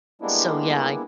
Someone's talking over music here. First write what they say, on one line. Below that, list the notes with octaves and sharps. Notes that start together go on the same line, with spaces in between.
So, yeah I
G3 G#3 A#3 B3 D4 E4